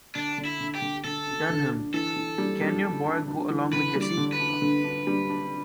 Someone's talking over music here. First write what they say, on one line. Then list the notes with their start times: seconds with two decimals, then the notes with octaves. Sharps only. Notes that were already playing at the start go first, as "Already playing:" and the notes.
Dunham, can your boy go along with Jesse.
0.15 D3 D4
0.38 D3
0.45 E4
0.60 D3
0.75 G4
0.82 D3
1.04 D3 A4
1.27 D4
1.50 D3
1.71 D4
1.94 E3 A4
2.16 E3
2.38 G3
2.61 G3
2.84 D4
3.05 D4
3.28 D4
3.50 E3
3.73 D3 B4
3.95 G3
4.03 D5
4.17 D3
4.33 B4
4.39 D4
4.62 D3
4.84 D4
5.07 G3
5.29 D4